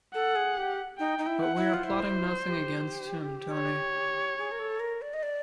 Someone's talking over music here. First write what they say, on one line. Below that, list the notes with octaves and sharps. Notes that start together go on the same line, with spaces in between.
But we are plotting nothing against him, Tony.
A4 F#5
G#4
G4
D#4 G5
D#4
E4
F#5
E4
F4
E4 C5
E4
G4
C#5
G#4
A#4
A4
A#4
D5
D#5
D5